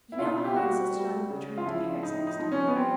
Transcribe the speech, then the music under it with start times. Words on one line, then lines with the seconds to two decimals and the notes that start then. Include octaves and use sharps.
You know how I insisted on your returning to Paris next day.
0.12 E4
0.19 B2 F4
0.44 G4
0.56 G3 F#4
0.92 G3
1.30 C#3
1.58 F4
1.66 F3 E4
2.02 A2 D#4
2.27 D#4
2.40 F3
2.52 C#4
2.67 B3
2.76 G3 C4